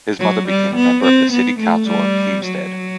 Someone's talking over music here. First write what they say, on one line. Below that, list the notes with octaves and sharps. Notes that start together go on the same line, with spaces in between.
His mother became a member of the city council of Heemstede.
F#3
G3
B3
C4
B3
A3
G3
F#3